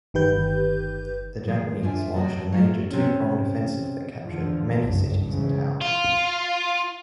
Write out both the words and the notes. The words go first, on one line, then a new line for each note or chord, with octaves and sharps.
The Japanese launched a major two-pronged offensive that captured many cities and towns.
G1 D#3 G4 B4 G6
D#2 F3 G#3
D4 F4 C5 D5 E5 G#5
F#2 C3 F#4 D#5 A5
F#3 A3 F4
C3 C#4
E2 D3 F3
F#1 C2 G2
G#2 C#3 E3
F4